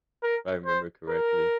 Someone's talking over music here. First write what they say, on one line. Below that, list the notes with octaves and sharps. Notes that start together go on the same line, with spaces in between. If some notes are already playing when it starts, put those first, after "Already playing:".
I remember correctly.
A#4
C5
A#4